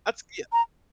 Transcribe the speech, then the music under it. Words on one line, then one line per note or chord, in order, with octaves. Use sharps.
that's yeah.
A#5